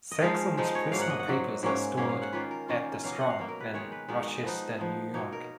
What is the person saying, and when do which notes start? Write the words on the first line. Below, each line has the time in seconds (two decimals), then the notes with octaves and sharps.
Sackson's personal papers are stored at The Strong in Rochester, New York.
0.11 D#5
0.22 F3 G#3 D#4 F5
0.57 F3 G#3 D#4 D#5
0.75 C#5
0.92 G#2 F#3 A#3 F5
1.01 F#5
1.10 D#5
1.19 F#5
1.28 G#2 F#3 A#3
1.63 G#2 F#3 A#3 C#4
1.97 G#2 F#3 A#3 C#4 F5
2.09 F5
2.22 F#5
2.33 D#3 A#3 C#4 F4 B4
2.51 A#4
2.68 D#3 A#3 C#4 F4
3.04 B2 F#3 A#3 F5
3.12 D#5
3.21 F#5
3.30 F5
3.39 B2 F#3 A#3
3.48 A#4
3.60 B4
3.74 D#3 G#3 D#4 C#5
3.92 B4
4.08 D#3 G#3 D#4 F#4
4.26 D#5
4.45 F3 B3 D#4
4.79 F3 B3 D#4
5.14 B2 A#3 D#4 C#5
5.33 A#4